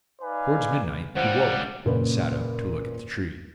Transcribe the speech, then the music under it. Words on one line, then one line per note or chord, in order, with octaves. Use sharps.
Towards midnight he awoke, and sat up to look at the tree.
D#4 B4 D5 F5 G#5
C#2 G3 C5 F#5
F#1 A#2 C#3 B4